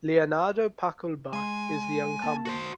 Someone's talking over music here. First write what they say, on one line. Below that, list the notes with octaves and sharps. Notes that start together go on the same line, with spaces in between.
Leonardo Paculba is the incumbent.
G#3 G#5 C6
A#3 A5
F#4 C5